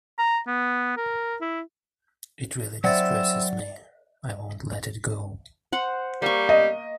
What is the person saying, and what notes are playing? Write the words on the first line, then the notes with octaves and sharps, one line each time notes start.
It really distresses me; I won't let it go.
A#5
B3
A#4
E4
F#3 C4 E4 D5 F#5 E6 A6
C5 F#5
G3 A#3 C#6
D#5